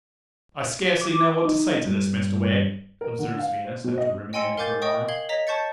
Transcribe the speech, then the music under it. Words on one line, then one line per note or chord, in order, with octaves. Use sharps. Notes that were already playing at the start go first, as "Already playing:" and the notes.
'I scarcely know what to say to this, Mr Wegg,' observes Venus, after ruminating for a while.
D6
D#4
G2
A#4
D3
F5
C5
B2
D#5
D#5 G5 G#5 C6 E6 C#7
A#4 F5 G#5 D6 G6 A6
D#5 G5 C#6 D#6
F5 G#6 F#7 G7
C#5 D#5 A#5 B6 F7
C#5 A5 C#6 G6 A6 C#7